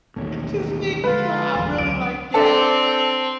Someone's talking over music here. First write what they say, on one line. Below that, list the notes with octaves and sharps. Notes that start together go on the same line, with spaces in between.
to see so I really like yes,
A1 D#2 B2 A3 C#5
D3 F3 G#3 F4 B4
G1 E2 D3 E3 F#3 A3
C#2 D3 F#3 D7
C4 D4 A4 A5